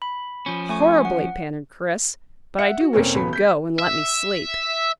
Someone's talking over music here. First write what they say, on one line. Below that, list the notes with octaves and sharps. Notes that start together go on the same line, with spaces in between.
"Horribly," panted Chris; "but I do wish you'd go, and let me sleep."
B5
F3 C#4
A3 G#5 C#6
F#5
E5 F#5 C#7
F#4
F1 A#3 C4 C#4
D#1 F#3 B3 B5
G6 B6
E5